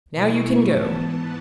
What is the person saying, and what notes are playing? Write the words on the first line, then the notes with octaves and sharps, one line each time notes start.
"Now you can go."
B2 A3 E4 C#6
G#2 E3 B3 A5